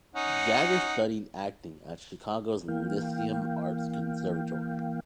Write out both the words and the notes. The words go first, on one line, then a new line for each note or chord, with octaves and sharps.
Jagger studied acting at Chicago's Lyceum Arts Conservatory.
C#4 D#4 F#5
E3 A#3 F5 G5